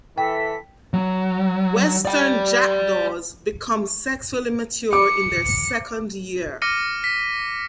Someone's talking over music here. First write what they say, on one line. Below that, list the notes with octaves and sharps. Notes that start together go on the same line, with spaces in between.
Western jackdaws become sexually mature in their second year.
E3 A4 G5 B6
F#3
D5 G5
D6 C#7
D6 F6 A#6 C#7 D#7
B6